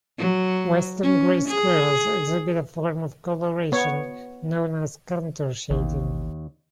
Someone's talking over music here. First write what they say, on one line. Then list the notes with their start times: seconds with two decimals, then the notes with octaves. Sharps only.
Western gray squirrels exhibit a form of coloration known as counter shading.
0.18 F#3
1.03 C#4
1.48 G#4
3.72 B3 C#5
5.70 A1 D#2